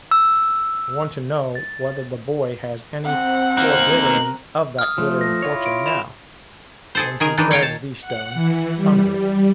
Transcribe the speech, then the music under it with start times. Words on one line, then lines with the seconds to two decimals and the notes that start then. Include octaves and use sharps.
I want to know whether the boy has any foreglittering of that glittering fortune now, when he treads these stones, hungry.
0.11 E6
1.55 A6
3.06 C4 F#5
3.57 A#3 D#4 F#6
4.00 A#4
4.79 D#6 F6
4.98 F3 A3
5.21 A#6
5.42 E4 F4 C#5
5.66 D7
5.86 B5 E7 F7
6.95 G#4 A4 C5
7.20 D#3 G#4 A#4
7.38 D#3 E3 D4 D#4
7.51 C#5 F5 G5 G#5 A#5
7.63 A5
8.01 F#5
8.34 E3
8.76 G3
9.13 G3